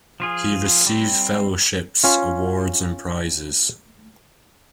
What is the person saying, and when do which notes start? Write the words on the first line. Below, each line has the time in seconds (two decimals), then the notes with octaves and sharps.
He received fellowships, awards and prizes.
0.20 F3 F4 G#4
0.87 G3 C4
2.04 C#4 F4